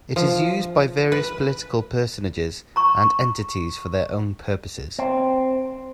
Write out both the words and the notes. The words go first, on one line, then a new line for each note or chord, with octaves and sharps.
It is used by various political personages and entities for their own purposes.
F3
B4
A#5 C#6
C4